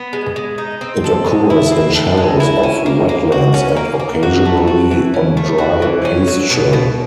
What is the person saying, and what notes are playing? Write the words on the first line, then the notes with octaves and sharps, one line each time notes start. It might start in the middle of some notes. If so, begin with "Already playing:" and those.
It occurs in shallows of wetlands and occasionally on dry pasture.
Already playing: B3
G#3
G#3
D#4
C4
A4
G#3
E4
C4
A4
G#3
E4
C#4
A#3
A#3
F#4
C#4
A#3
A#3
F#4
A3
F#4
E3
C#4
A3
F#4
E3
C#4
F#3
B2
B2